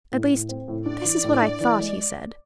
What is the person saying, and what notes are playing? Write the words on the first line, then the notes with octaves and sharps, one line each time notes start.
At least, this is what I thought he said.
A2
A2
C4
A2
D4 D5
E3
A2
D4
E3
G#3